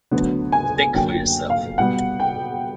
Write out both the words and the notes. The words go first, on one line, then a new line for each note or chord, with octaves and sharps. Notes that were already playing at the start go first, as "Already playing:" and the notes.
Think for yourself.
D2 D3 F#3 B3
G#5
F#2 D3 F#3 A#3 G5
F5
B2 G3 B3 F#5
G5